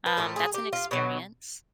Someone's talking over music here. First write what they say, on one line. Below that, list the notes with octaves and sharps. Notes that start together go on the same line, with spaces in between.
Um, that's an experience."
B4
A2 F3 A3 A#4
G#4
G4
F4
B2 F#3